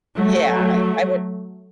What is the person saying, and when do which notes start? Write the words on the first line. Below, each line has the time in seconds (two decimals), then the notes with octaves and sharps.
Yeah, I would
0.15 F#3 A3